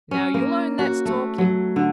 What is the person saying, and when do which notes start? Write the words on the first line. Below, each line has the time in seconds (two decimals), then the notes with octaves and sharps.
Now, you'll own that's talking.
0.11 C#4
0.34 A#3
0.79 F#4
1.05 A3
1.38 F#3
1.76 D3